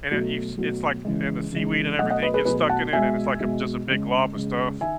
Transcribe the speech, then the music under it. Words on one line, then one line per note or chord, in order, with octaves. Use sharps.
and it eves it's like and the seaweed and everything gets stuck in it, and it's like a just a big glob of stuff.
B2 F#3 A3
B2 F#3 A3
C#3 E3 G#3
C#3 E3 G#3
B2 F#3 A3 D#5 F#5
D#5 F#5
B4 D#5
G#4 B4
B2 F#3 A3 G#4 B4
F#5 A5
B2 G#3 E5 G#5
B2 G#3
C#3 G#3
C#3 G#3
D#3 E5 G#5